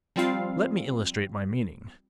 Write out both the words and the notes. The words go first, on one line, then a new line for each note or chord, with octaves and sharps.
Let me illustrate my meaning.
F3 G3 C4 F4 F5